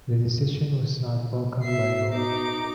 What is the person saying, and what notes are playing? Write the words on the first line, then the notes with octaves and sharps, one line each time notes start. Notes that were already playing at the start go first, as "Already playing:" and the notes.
The decision was not welcomed by all.
B2 E5 C7
B2 D#4 D6